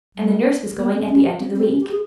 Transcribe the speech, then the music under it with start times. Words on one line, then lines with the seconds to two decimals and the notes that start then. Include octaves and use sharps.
And the nurse was going at the end of the week.
0.16 G3
0.78 A#3
0.94 C4
1.09 C#4
1.40 C4
1.55 C4
1.71 C#4
1.80 G4
1.91 G#4